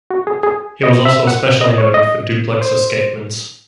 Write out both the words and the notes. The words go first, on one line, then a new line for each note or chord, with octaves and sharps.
He was also especially noted for duplex escapements.
F#4
G#4
G#4
D#5
E5
F#5
D#5
C#5
D#5
C5